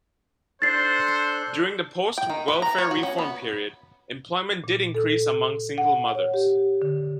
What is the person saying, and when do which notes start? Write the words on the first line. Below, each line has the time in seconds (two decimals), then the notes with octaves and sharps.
During the post-welfare reform period, employment did increase among single mothers.
0.62 D4 A4 C5 F#6 A6 C7
2.18 G5
2.30 D#3
2.48 B4
2.62 A#5
2.78 C#5
2.91 F#4
3.03 C#4
3.18 B3
4.64 A#2
4.95 A4
5.78 F#5
6.15 C#5
6.34 G4
6.82 D3